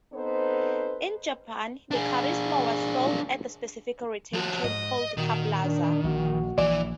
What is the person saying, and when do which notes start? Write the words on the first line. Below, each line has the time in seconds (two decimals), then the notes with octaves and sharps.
In Japan, the Carisma was sold at a specific retail chain called "Car Plaza".
0.13 B3 C4 D#4 A4 B4 C5
1.91 D4 G#4
4.33 F3 F#4
4.64 G#2 D#5
5.17 A#2 D#3 F#4
5.64 D4
6.04 A#1 F#4
6.58 A#1 E3 D5